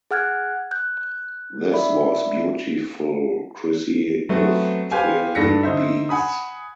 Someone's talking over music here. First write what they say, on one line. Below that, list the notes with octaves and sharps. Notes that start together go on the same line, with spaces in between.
This was "Beautiful Crissy with Twirly Beads".
G#4 F#5 F6 F#6 G#6
F#6 G6
D5 E5 B5
F#3 A3 B3 C4 F#4
G4 B4 C5 F5 G#5
G2 D4 A4 A#6 B6 C#7
D3 D#4 C5 E5
F#5 G#5 B5 D#6